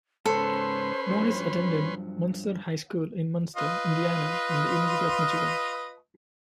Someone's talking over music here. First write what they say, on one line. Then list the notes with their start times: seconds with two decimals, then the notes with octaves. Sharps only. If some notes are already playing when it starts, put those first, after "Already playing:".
Morris attended Munster High School in Munster, Indiana, and the University of Michigan.
0.26 G#2 C#3 C#4 A4 B4 C5 C6
1.10 G2 F3 F#3
3.56 F4 B4 D#5